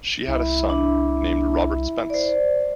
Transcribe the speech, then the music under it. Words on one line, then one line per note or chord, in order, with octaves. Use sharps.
She had a son, named Robert Spence.
C2 E4
D4
C5 D5